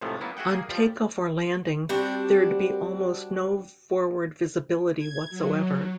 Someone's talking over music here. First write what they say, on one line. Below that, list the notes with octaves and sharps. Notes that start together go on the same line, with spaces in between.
On takeoff or landing, there'd be almost no forward visibility whatsoever.
A2 C3 D#3 F3 G#3 A3
F#3 A#3 B3 E4
F#4 G#4 E5 F#5 G5
A#3 G#4
F3 G3
G3 C4 D4 F#4
G#6
F#3